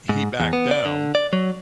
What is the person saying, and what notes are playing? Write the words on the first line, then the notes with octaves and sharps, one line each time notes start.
he backed down.
G#2
E2
B3
D5
D3
D5
F#3